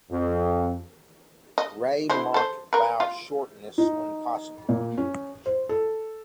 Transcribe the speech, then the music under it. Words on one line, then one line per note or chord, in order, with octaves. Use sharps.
Ray marked vowel shortness when possible.
F2
D#5
D3 E4 C5
A4 C5
A#4 B4
F4
D#4
A#2
C#4
C5
A4